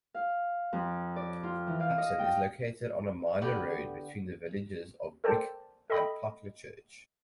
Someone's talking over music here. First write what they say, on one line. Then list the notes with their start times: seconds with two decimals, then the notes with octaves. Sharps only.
Abson is located on a minor road between the villages of Wick and Pucklechurch.
0.14 F5
0.73 F2
1.16 D5
1.43 F4
1.67 E3
1.80 F5
1.98 D#5
2.19 G5
3.42 D3 B3 G4
5.24 A4 A#4 C5 D5 G5 A5
5.90 A4 D#5 E5 G5 B5